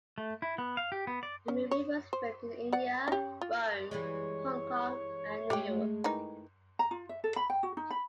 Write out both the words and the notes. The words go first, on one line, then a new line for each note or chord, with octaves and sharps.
The movie was filmed in India, Rome, Hong Kong, and New York.
A3
E4
B3
F5
G4
B3
D5
C#4
C#5
C5
D5 F#5
C#4 G4
F4
E3 G3 G#3 C#5
G#3 A3 G4 G5
D#3 E3 D#4
A#5
F4
E5
A4
B5
G5
F#4
D#4
B5